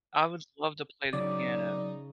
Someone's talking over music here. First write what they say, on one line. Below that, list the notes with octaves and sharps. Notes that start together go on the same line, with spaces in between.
I would love to play the piano.
C#3 F#3 D#4 D5